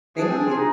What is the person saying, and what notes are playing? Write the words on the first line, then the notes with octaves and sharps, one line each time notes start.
Thank you.
D4 G#4
C4
D4
F4
D#4